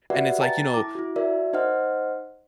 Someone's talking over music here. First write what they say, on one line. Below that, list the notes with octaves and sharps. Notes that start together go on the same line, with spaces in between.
And it's like, you know,
F#4 G4 B4 D5 E5 F#5
G5 A5 A#5 A6
E4 D6
E4 F#4
F#4 A#4 D5 E5
D#4 C5 D#5 F#5 F6